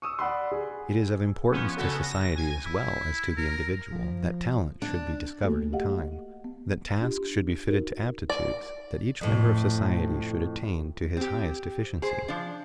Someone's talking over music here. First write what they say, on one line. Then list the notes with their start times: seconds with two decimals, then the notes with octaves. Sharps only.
It is of importance to society as well as to the individual that talent should be discovered in time, that tasks should be fitted to aptitudes, that each member of society should attain to his highest efficiency.
0.02 C#6 D#6 E6
0.19 D5 F#5 B5 C6
0.52 G#4
1.50 F3 B3 C#4
1.77 C#3 B3 F#4 A4
2.03 A#6
2.36 G#5
2.65 E4
3.37 A#4
3.92 F3
4.82 D4
5.43 A3 A#3 F#4 A4
5.73 G4 D#5 F5 F#5
6.44 B3
7.01 D4 F4 G4
7.68 D#4 F#4 A#4
8.30 D5
9.21 F2 A2
11.17 C4 G4
12.02 G#4 C5
12.28 F3 D4